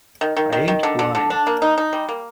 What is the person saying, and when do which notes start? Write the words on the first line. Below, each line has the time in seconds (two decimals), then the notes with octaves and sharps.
I ain't blind.
0.21 D#3
0.37 D#3
0.53 D#3
0.68 D#3
0.83 D3
0.99 D3
1.15 D3
1.30 D4
1.47 A#3
1.62 D#4
1.78 D#4
1.93 G3
2.09 A#3